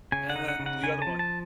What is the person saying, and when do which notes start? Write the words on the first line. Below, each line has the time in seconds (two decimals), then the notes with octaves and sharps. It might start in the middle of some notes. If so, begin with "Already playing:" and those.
and then the other one
0.12 C#3 G#5
0.30 F#5
0.36 D#4
0.48 F#5
0.59 C#3
0.66 F#5
0.83 C#3 G#5
1.02 F3 A5
1.19 A5